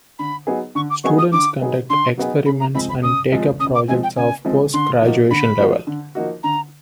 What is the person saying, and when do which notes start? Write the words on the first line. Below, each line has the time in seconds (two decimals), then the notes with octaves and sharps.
Students conduct experiments and take up projects of post graduation level.
0.18 D3 B5
0.47 F#3 B3 D#4 G#4
0.75 D3 C#6
0.90 D6
1.04 F#3 B3 D#4 G#4 C#6
1.18 D#6
1.32 D3 D6
1.61 F#3 B3 D#4 G#4
1.89 D3 C6
2.17 F#3 B3 D#4 G#4
2.46 C#3 B5
2.60 A#5
2.75 F3 G#3 C4 B5
2.89 B5
3.02 C#3 D#6
3.32 F3 G#3 C4
3.59 C#3 D#6
3.74 D6
3.88 F3 G#3 C4 G#5
4.03 G5
4.16 C#3 G#5
4.45 F3 G#3 C4
4.73 D3 C6
5.02 F3 A#3 D#4 F#4
5.30 D3 B5
5.59 F3 A#3 D#4 F#4
5.87 D3
6.15 F3 A#3 D#4 F#4
6.43 D3 A#5